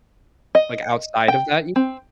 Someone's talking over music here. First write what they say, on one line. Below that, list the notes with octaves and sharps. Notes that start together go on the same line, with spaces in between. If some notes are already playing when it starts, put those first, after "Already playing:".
Like outside of that y
D#5
G5
C4